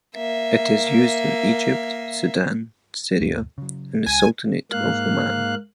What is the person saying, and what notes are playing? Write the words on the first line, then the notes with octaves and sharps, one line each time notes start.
It is used in Egypt, Sudan, Syria and the Sultanate of Oman.
A#3 E5
D2 G2 B2
C#3 F#3
C2 G#3 G#5
G#2 A#3 F5 F#6